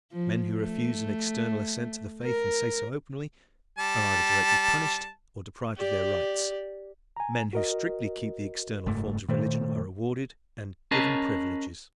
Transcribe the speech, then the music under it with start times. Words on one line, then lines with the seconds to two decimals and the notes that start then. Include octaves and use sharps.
Men who refuse an external assent to the faith, and say so openly, are either directly punished or deprived of their rights; men who strictly keep the external forms of religion are rewarded and given privileges.
0.12 F3
0.53 A3
2.24 A#4
3.78 G3 A5
5.77 G4 D5
7.16 G#5 A#5
7.53 F#4 A#4 D#5
8.86 F#1 G#2 A3
9.29 A#2 D#3 A3 C5
10.91 C#4 G#4 A#4 B4 D#5 A5